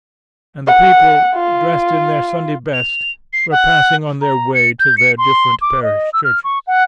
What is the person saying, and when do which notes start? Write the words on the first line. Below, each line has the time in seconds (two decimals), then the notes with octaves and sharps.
And the people, dressed in their Sunday best, were passing on their way to their different parish churches.
0.67 F#5
1.35 F4
2.73 F7
3.33 C7
3.52 F#5
4.22 A#5
4.54 C#7
4.80 G6
4.98 C#7
5.18 C6
5.61 D6
5.83 D#5
6.13 E6
6.25 F6
6.44 C#6
6.67 F#5